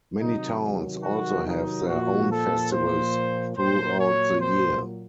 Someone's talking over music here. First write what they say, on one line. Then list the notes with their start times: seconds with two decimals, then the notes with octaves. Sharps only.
Many towns also have their own festivals throughout the year.
0.20 C3 D#3 F#3 D#4
1.03 F#4
1.47 D#4
1.88 A#2 F3 F#4
2.31 A4
2.72 C5
3.56 A#2 F#3 C5
3.99 C#5
4.41 C5